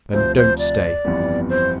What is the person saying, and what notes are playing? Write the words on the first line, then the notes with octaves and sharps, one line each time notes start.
"Then don't stay."
D2 C3 F3 C5
C5
D5
G1 F2 E3 G3 B3
C5